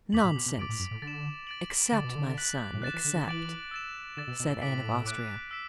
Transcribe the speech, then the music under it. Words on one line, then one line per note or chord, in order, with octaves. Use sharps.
"Nonsense! accept, my son, accept," said Anne of Austria.
E2 D6 B6 F#7
A2
B2
B2
F#2 D6 A6 D7 F#7
A2
F#2
A2
D3 A6
E7
A6 D7 F#7
D3 D6 A6 F#7
B2
D3
F#6 B6 F#7
A2
B2 F#6 A6 E7
E3
D3
D3
E3 D6 A6 D7 F#7
E6 A6 E7
D3 D6 A6 E7
B2
B2
A2
F#2
A2 D6 B6 D7 F#7
D6 F#6 D7
E6 B6 E7